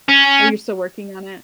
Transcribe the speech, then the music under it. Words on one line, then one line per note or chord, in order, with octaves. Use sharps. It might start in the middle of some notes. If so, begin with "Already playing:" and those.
Oh, you're still working on it?
C#4